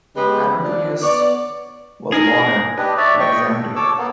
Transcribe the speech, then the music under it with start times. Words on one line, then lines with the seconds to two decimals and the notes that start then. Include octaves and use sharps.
Anatolius was born at Alexandria.
0.16 C#3 G#3 B3 G4 B4
0.62 F3 D4
1.01 B3 C#5 D5
2.12 D4 D#4 G#4 A#4
2.78 D4 G4 B4 D#5
2.97 C#5 D5 E5
3.20 D#5 G5 C#6
3.50 A4
3.76 A4 C#5 D6 E6
3.98 A#3 B3